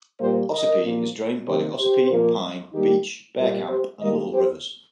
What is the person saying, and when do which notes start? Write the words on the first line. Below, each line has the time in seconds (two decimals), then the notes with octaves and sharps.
Ossipee is drained by the Ossipee, Pine, Beech, Bearcamp and Lovell rivers.
0.19 A#2 G3 A#3 G4 C5
0.51 A#4 D#5
0.83 A#2 F3 A#3
1.46 C3 D#3 A#3 G4 C5
1.78 G4 C5
2.10 A#2 F3 A#3
2.73 D#3 G3 A#3 D#4 G4
3.37 A#2 G3 A#3 F4 A#4
3.68 G4 C5
4.00 D#3 G3 A#3 A#4 D#5
4.32 G4 C5